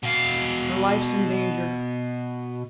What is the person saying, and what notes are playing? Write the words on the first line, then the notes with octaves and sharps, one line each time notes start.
Her life's in danger.'
B2 F5